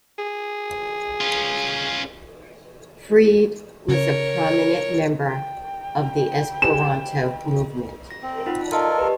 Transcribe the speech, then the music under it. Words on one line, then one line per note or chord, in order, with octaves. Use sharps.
Fried was a prominent member of the Esperanto-movement.
G#4
C#4 F4
C#3 A#4 C#5
G5
G4 C5 G#5 E7
A#6
C4
D#4 F4 F#5
F4 A4 A#4 D5 D#5 A5
G4 B4